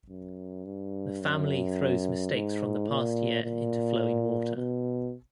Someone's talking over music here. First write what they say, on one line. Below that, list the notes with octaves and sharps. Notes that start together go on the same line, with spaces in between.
The family throws mistakes from the past year into flowing water.
F#2
G2
F#2
G#2
A#2
A#2
B2